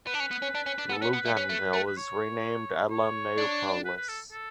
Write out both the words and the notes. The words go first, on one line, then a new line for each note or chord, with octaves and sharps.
Luganville is renamed Allonneaupolis.
B3 B4
D4
C#4
B3
C#4
D4
C#4
D4
B3
A4
C#4 B4
B3
A3
C#4
A3
A3
B4
C#5
C#5
D4
B4
B4
A4
A4